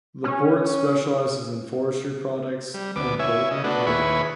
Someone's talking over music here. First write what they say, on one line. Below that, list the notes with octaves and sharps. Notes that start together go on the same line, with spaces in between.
The port specialises in forestry products and bulk cargo.
C#4
G3
D2 B3 D6
E4 C#5 E5 G#5
C#3 D#5
A3 B3 D4 F#4
D#2 E4 G#4 B4 B5 C#6